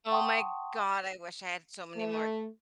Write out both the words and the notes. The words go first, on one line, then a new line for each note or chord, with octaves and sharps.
Oh my God, I wish I had so many more
F#5 G5 A5 C6 C#6 D#6
A3